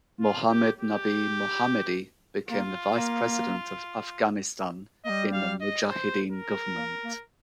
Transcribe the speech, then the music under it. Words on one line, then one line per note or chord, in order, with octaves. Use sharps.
Mohammad Nabi Mohammadi became the Vice President of Afghanistan in the Mujahideen government.
F4
G4
G4
A#3 F4
A#3
G3 A#3 D#5
F5
D#5
C5
A#4
A#3
A#3